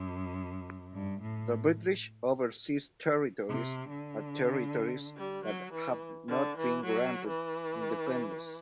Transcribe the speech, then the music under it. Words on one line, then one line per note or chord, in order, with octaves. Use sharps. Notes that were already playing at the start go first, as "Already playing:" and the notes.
The British Overseas Territories are territories that have not been granted independence.
Already playing: F#2
G2
A2
C3
D3
G3
F#3
E3
D3
E3
F#3
E3